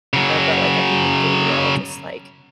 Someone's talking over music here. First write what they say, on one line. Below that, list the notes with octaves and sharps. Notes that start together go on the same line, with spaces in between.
but, like, at the end of the day, we're all just, like,
C#3 F#3